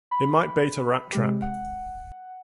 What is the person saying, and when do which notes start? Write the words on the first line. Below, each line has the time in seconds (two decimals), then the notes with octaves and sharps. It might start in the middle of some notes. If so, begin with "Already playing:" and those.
It might bait a rat-trap.
0.11 B5
1.13 C3 G#3 G4
1.42 F#5